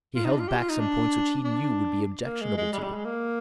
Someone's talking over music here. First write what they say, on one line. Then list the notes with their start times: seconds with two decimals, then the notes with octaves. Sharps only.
He held back some points which he knew would be objectionable to you.
0.16 F4
0.25 D#4
0.32 D4
0.40 F4
0.48 G4
0.58 F4
0.70 D#4
0.80 D4
1.44 D4
2.25 A#3
2.41 G#3
2.58 G#3
2.73 G3
2.79 G#3
2.83 G3
2.94 G#3
3.05 A#3